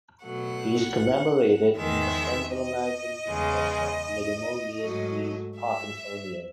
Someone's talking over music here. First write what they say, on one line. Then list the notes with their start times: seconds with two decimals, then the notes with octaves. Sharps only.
He is commemorated in the Central American genus of leguminous trees "Parkinsonia".
0.24 B2 F#3 A3 F#5
1.76 E2 D#3 G#3 E5
2.53 D#5
3.28 E2 C#3 G#3
4.81 G#2 F#3 A3
5.57 E5